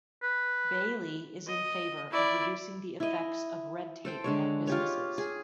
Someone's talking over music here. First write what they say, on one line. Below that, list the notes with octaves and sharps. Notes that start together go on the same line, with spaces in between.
Baillie is in favour of reducing the effects of red tape on businesses.
B4
D#5
E4 D5
E4 D#5
A4 C5 G5
D3 G#3 C#5
F4 G4 C#5
G#4